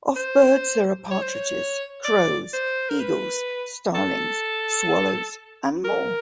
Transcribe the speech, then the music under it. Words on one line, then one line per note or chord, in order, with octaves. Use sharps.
Of birds there are: partridges, crows, eagles, starlings, swallows and more.
C5
C#5
C5
C#5
D5
C5
A#4
B4
A4
A#4